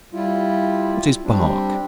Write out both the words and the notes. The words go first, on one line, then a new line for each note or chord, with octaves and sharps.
What is Bark?
G3 E4 F4
G3 C4 D4